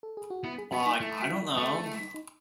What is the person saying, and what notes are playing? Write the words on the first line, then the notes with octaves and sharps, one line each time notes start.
Like, I don't know.
A4
G#4
F#4
B3 E4
G#4
B3 F#4
D#4
A3 E4
F#4
E4
A3 F#4
G#4
E4
D#4
D#4